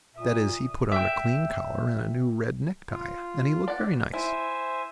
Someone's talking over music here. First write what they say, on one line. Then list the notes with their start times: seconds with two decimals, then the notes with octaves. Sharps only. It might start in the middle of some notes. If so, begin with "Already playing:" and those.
That is, he put on a clean collar and a new, red necktie, and he looked very nice.
0.15 A#2 E5 D#6
0.92 E5 G5
2.90 F4
3.68 D5 F#5
4.14 E4 C5 E5 G#5